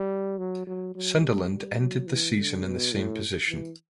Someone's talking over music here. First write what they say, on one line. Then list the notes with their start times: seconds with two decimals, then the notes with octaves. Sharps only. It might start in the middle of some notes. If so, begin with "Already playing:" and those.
Sunderland ended the season in the same position.
Already playing: G3
0.39 F#3
0.67 F#3
0.95 F#3
1.24 G3
1.79 F#3
2.07 E3
2.36 D3
2.64 B2
2.92 A2
3.48 E3